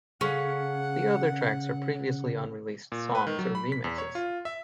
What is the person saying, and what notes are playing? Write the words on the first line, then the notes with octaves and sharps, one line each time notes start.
The other tracks are previously unreleased songs or remixes.
C#3 C#4 G#4 A4 F5 F#5
A#2
B4
D#3
F#3
B5
B6
E2
C#5
F4
E5